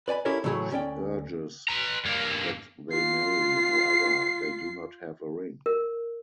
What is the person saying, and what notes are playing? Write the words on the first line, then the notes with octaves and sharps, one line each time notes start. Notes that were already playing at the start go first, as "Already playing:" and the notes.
She urges that they marry; however, they do not have a ring.
B4 D5 G#5 B5
C#4 E4 G4 A4 A#4 C#5
A2 C#3 E3 F#3 A3 G#4
D2 C#4 D5 G5
B4 A#5
G2 A#3
F4 C7
A#4